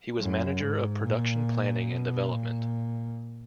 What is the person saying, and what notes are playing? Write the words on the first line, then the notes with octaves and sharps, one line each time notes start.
He was manager of production planning and development.
F#2
G#2
A#2
B2
A#2